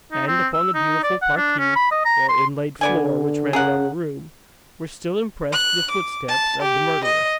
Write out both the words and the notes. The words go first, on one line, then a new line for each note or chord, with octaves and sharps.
And upon the beautiful parquet, or inlaid floor which ran round the room, were still impressed the footsteps of the murderer.
D#4
C4
E6
D#4
D5
F#5
D4
C#4
B5
D#5
A#5
C6
D3 B3 D5 G#5
C#3 G#4 A#4 F#5
F#6
D6
A5
G4
D#5